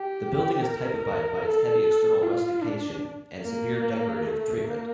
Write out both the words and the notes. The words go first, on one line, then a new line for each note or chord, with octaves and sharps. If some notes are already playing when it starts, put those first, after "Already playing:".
The building is typified by its heavy external rustication and severe decorative treatment.
Already playing: G4
A#4
A4
A4
F4
D4
A#3
A3
A#3